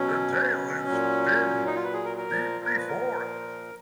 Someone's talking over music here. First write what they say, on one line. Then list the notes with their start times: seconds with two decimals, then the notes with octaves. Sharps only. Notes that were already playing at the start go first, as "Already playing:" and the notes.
The tail is fin deeply forked.
Already playing: B2 F#3 C#4
0.52 C#4
0.87 A#2 F#3
1.66 D#4
1.75 F4
1.84 B4
1.93 G#4
2.05 A#4
2.17 A#4
2.28 A#2 F3
2.64 A#4
2.77 B4
2.88 A#4